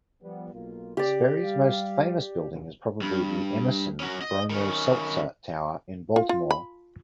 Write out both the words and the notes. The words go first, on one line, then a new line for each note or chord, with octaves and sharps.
Sperry's most famous building is probably the Emerson "Bromo-Seltzer" Tower in Baltimore.
F3 G3 B3
B1 A#3 F4
C#3 G4 D5
G3 F5
G2
C#4 F#4
D#5
D#3 C#4
F4
F4
B5